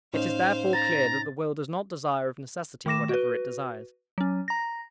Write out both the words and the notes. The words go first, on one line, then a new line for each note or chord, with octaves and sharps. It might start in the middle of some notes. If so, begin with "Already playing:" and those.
It is therefore clear that the will does not desire of necessity whatever it desires.
A2 C#4 D#4 C5 F5
A#5 A6
D#3 A3 D6 A#6 E7
F#4 B4
F#3 C#4
A#5 A#6